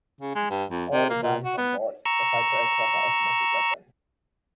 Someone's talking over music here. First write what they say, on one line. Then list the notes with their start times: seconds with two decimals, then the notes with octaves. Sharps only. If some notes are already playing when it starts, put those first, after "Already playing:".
All the guns on board the fighter aircraft are automatic weapons.
0.21 C#3
0.35 G#3
0.50 G2
0.70 F2
0.90 C3
1.10 A#3
1.23 A#2
1.44 F#4
1.57 B3
2.05 A#5 C#6 E6